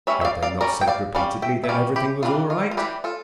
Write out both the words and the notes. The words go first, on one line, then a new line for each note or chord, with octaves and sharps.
Had they not said repeatedly that everything was all right?
G3 C#4 C#5 E5
E5
D5 F5
D5 F5
G3 C#4 A#4 D5
G5
D5 F5
G3 C#4 D5 F5
E5 G5
E5
G3 C#4 D5 F5
E4 G4
E3 G3 D4 F4
F4
F4
E3 G3 D4 E4 G4
F4 A4